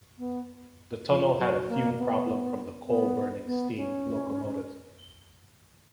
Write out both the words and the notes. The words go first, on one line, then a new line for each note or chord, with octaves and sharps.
The tunnel had a fume problem from the coal-burning steam locomotives.
B3
F3
F#3
A#3
B3
B3
B3
C#4